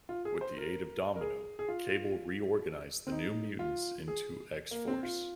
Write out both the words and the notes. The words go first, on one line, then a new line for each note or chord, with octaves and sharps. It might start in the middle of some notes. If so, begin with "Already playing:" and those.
With the aid of Domino, Cable reorganized the New Mutants into X-Force.
F4
G#4
C5
A#4
A#4
G#4
G#4
F4
C4
D#4
F4
G#4
A#3
C4
F4